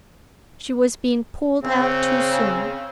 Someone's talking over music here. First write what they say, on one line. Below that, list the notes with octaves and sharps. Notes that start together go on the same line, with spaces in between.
She was being pulled out too soon.
C#3 C4